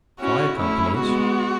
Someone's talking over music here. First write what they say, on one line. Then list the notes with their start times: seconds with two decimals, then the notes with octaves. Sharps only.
Fire Companies.
0.20 C#4 E4 F#4
0.59 A3 C#4 E4
0.99 G#3 B3 F#4